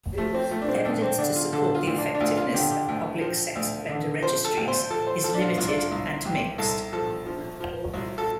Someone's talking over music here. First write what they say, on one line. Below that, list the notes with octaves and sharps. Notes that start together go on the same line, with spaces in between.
Evidence to support the effectiveness of public sex offender registries is limited and mixed.
F3 A3
C4
F3 A3
D4
C4
D2 D4
C4
D3 D4
F4
D3 A4
F4
D2
D4
D4
D2 F4
F4
D3 G4
G4
D2
F3
D2
D3
F3 C5
A4
D2
C5
F3 A4
C5
F3 A4
D4
F4
C2 F4
D4
F4
C2
C2 G4
C2 A4
F3 A4
F3
F3
C2
A4